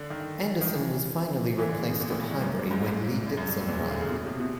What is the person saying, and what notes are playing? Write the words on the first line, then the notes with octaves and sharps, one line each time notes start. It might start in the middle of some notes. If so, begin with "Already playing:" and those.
Anderson was finally replaced at Highbury when Lee Dixon arrived.
Already playing: D3
D#3
D#3
E3
E3
D3
C#3
B2
A#2
A2
A2
G2
F#2
G2
G#2
G2
G#2
F#2
F#2
G2
A2
A#2
C#3
D3
C#3
B2
C3
B2